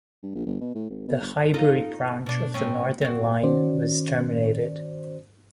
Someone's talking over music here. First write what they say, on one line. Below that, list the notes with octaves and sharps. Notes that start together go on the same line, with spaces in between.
The Highbury Branch of the Northern line was terminated.
G2
A#1
G1
B2
A2
G#1
B2
G1
D#4 F4 A4
B2 D4
A2 C4 C#4
C4 F#4
D#3 C#4 F#4 C5 D5